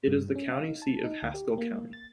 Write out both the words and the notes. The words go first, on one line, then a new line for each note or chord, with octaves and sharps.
It is the county seat of Haskell County.
G2
C#4
F5
D#4
A5
D#4
D2
G4
A#3
A6